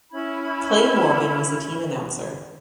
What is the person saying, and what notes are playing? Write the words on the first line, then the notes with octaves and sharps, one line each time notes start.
Clay Morgan was the team announcer.
C#4 E4 B5 G#6